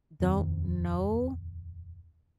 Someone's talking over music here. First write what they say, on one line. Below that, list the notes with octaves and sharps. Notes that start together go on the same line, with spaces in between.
don't know?
D#1 F2 D#3 C4